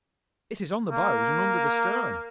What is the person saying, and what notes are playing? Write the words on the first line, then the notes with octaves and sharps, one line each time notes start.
"It is on the bows and under the stern."
A#3